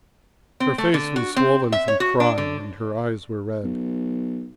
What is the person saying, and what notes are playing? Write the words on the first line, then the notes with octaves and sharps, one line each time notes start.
Her face was swollen from crying and her eyes were red.
C4
A3
D3
F#4
C4
E5
C#5
F#4
D4
D3
B1